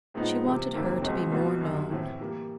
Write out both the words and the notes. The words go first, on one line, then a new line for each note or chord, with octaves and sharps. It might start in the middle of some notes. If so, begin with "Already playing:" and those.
She wanted her to be more known.
A2 F3 G#3 B3 D#4
C3 E3 G3
F2 C3 D#3 G3 A#3
C#2 B2 G#3 C4
C2 B2 F#3 B3
F#2 D3 G3
A2 E3 A3 C4
E3 G3 A#3